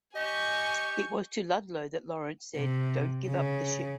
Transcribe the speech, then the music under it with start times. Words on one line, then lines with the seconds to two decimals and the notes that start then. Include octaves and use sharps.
It was to Ludlow that Lawrence said Don't give up the ship.
0.15 G4 D#5 G#5 C#6
2.56 C3
3.27 C#3